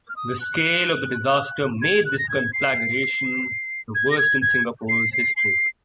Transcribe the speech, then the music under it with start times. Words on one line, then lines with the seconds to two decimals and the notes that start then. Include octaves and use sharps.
The scale of the disaster made this conflagration the worst in Singapore's history.
0.09 F6
0.16 D#6
0.40 F#6
1.82 G#6
2.05 F#6
2.18 A#6
2.29 G#6
2.53 C7
3.95 G#6
4.11 A#6
4.18 G#6
4.42 G#6
4.89 C7
5.13 C7
5.37 C7